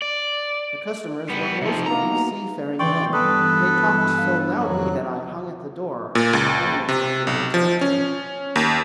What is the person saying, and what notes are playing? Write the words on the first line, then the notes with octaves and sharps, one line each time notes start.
The customers were mostly seafaring men, and they talked so loudly that I hung at the door, almost afraid to enter.
D5
G3 B3
C3 F3 D#4 E5
B2 A#3 A#5
E3 D5 G5 C6 C#6
G2 E3 B3 A4 B4 D#6
D4 F5
F2 D#3 F3 F#3 F#6
A#2
C#2
C3
B1
F3
C#4
D#2